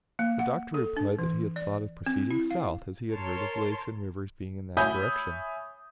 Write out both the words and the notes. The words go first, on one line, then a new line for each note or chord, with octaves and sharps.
The Doctor replied that he had thought of proceeding south, as he had heard of lakes and rivers being in that direction.
A#3
F#5
A4
D4
E3
D5
C4
E4
F5
A#4 C#5 A5 C6
C#5 E5 G#5 B5 D#6 G6